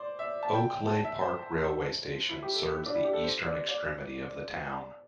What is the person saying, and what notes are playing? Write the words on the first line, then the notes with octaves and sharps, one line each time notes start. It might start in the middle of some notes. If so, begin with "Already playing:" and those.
Oakleigh Park railway station serves the eastern extremity of the town.
Already playing: C5 D5
E5
A5
G5
G5
A5
E5
C5
E4
G4
A4
D4
E4
G4
A4
C5
D5
D5